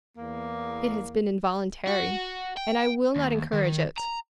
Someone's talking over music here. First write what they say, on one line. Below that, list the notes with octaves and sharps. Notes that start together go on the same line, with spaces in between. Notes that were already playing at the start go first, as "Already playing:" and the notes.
It has been involuntary, and I will not encourage it.
E2 A#3
F#4
G5
D#2
D#3
A#5